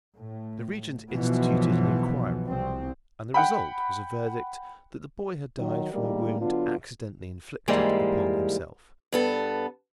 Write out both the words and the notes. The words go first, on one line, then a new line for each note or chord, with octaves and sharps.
The Regent instituted an inquiry, and the result was a verdict that the boy had died from a wound accidentally inflicted upon himself.
A2
B1 B2 E3 F3 B3
C2 C4
F#5 G5 B5
D#3 F#3
E2 G2 D#3 G3 G#3 A#3
D3 F#3 B3 D4 F4
G#2 E3 G3 G#3 A#3
G2 B3 A4